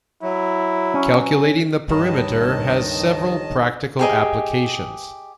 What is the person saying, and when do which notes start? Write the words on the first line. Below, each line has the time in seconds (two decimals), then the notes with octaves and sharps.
Calculating the perimeter has several practical applications.
0.22 F#3 E4
0.94 C#4
1.89 C#2 G2 D#3 C#5 D#5 A5
3.99 G4 G#4 D#5